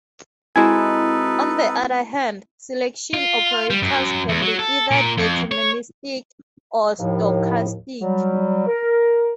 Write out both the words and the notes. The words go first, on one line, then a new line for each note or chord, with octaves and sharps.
On the other hand, selection operators can be either deterministic, or stochastic.
G#3 C4 D#4 E4 F#4 A4 B4 G#5
F4
G3
F#2
E2
F#3
A4
A#2
F2
C#5
D#2 A2 F3
F#3 G3
A#4